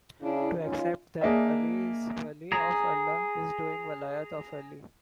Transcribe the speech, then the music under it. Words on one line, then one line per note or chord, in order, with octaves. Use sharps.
To accept that Ali is Wali of Allah is doing "Walayat" of Ali.
C#3 D4 E4
D#3 C#4 D#4 F4
A#3 D4 G#4 D#5 E5
G#4 A#5